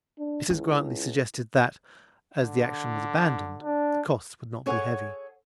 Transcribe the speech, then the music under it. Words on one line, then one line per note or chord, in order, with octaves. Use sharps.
Mrs Grantly suggested that, as the action was abandoned, the costs would not be heavy.
D4
C#2 E4
D3
D4
G#4 A4 C#5 F#5 G#5